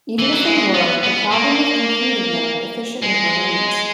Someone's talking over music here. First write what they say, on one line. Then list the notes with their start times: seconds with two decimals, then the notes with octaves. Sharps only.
Even if they were, the problem of computing them efficiently remains.
0.19 E3
0.32 F#3
0.45 G#3
0.74 B3
1.03 B3
1.31 A#3
3.02 G#3